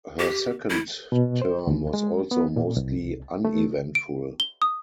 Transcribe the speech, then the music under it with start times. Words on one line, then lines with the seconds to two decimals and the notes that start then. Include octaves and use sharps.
Her second term was also mostly uneventful.
0.19 G4
0.70 E4
1.12 B2
1.42 C5
1.67 D2
1.94 G#3
2.31 B3
2.56 A#2
2.77 C2
3.45 A3
3.95 D7
4.40 G7
4.62 D#6